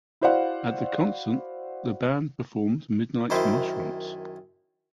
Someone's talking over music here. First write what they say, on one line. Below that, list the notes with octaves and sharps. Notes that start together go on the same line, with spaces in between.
At the concert, the band performed "Midnight Mushrumps".
E4 F#4 C5 D5 F5 F#5
F#2 D#3 E4 C5